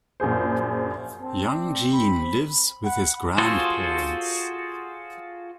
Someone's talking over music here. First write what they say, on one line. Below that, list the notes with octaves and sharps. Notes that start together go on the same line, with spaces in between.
Young Jean lives with his grandparents.
A#1 F#2 G#4 C5
C4 A5
D4
B5
F#5 B5
F4 F#4 G#4 A4 C5